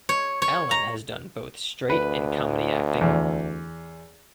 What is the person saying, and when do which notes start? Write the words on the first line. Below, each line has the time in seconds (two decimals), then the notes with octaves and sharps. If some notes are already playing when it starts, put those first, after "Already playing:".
Allen has done both straight and comedy acting.
0.09 C#5
0.42 C#5
0.71 A#5
1.90 D2 B4
3.01 E2